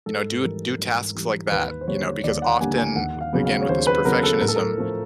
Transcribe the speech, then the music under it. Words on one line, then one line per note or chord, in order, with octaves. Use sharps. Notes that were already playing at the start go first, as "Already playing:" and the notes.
you know, do do tasks like that. You know? Because often, again, with this perfectionism,
G#2 A4
E3 G3 A#4
G#2
E3 G3
D#2 B4
C5
D3 G3 A#3 C#5
D#2 D5
F#5
D3 G3 A#3 G#5
G#5
D#2 F#5
F5
C#3 F#3 B3
F5
C#5
D#2 C5
B4
C#3 F#3 B3 A#4
A4
A2 A#4
A4
A#4
F3 A3